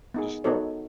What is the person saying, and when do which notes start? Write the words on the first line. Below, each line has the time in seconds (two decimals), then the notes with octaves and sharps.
Just stop,
0.14 B3 D#4 G#4
0.44 B3 D#4 F#4 A4 C#5